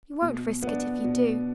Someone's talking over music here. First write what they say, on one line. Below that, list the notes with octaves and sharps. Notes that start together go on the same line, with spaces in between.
'You won't risk it if you do.
B2
B3 D4
B2